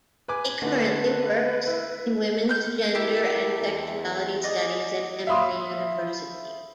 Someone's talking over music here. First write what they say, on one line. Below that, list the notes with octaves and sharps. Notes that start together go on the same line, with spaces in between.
He currently works in Women's, Gender and Sexuality Studies at Emory University.
B4 G#5 D6
D3 A3 B4
E4
F6 G6
E4 G4 A4 A#4
E2
G#4 D5 D#5
E5 F5 B5 C6 D#6